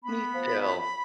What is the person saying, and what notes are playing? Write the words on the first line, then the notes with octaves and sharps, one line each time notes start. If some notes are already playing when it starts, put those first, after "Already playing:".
Me too.
B3 B5
F3
F3